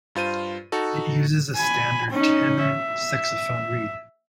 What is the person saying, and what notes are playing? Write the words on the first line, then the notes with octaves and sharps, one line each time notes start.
It uses a standard tenor saxophone reed.
G2 F4 C5 D#7
D#4 F#4 A4
G#5 B5
C#4 D#4
E5